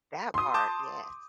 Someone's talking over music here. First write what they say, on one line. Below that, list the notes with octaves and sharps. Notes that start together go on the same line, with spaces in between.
That part, yes.
C6 D#6
A5 D6 G6